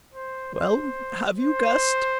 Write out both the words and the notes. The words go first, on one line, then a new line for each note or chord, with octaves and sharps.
"Well, have you guessed?"
C5
C5
C5